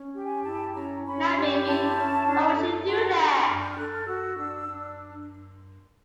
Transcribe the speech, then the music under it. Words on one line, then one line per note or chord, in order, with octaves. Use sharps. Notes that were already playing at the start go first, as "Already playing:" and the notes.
Now, baby, why would you do that?
Already playing: C#4
G4 G5
G#5
E4 A5
C#4 A#5
C#4 B5
G4
E4 A5
C#4
D4
A4
F#4 C6
D4
D4 F6
G6
F6
A4 F#6
F6
F#4 E6
D4
D4